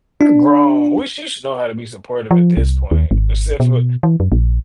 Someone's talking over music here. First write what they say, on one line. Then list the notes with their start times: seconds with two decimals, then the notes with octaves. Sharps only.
We're grown. We sh should know how to be supportive at this point, except for,
0.21 D4
2.31 F3
2.57 C2
2.91 D#2
3.11 G#1
3.60 B2
4.03 E3
4.20 F#2
4.32 A#1